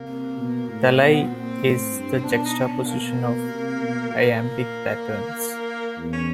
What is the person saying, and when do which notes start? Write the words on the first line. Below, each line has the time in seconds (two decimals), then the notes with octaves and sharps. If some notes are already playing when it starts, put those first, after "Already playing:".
Thalai is the juxtaposition of iambic patterns.
Already playing: C3 A#3
0.37 B2
0.68 A2
0.99 B2 C4
1.10 B3
1.21 C4
1.31 A#2
1.61 A2
1.93 G2
2.24 B2 D4
2.45 D#4
2.59 C#4
2.65 D4
2.86 A#3
3.49 C3
3.80 B2
4.11 A#2 A#3
5.97 E2
6.13 C#4